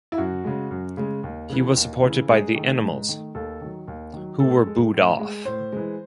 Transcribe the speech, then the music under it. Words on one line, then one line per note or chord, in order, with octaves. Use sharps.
He was supported by the Animals, who were booed off.
E4
F#2 F#4
C#3 G#3
F#2
C#3 G#3
D#2
C#3 E3
D#2
C#3 E3
G#2 G#4
D#3 A3
G#2
D#3 A3
D#2 A4
D#3 F#3
D#2
D#3 F#3
A2 A4
G#3
A2
G#3
A2 C5
E3 G#3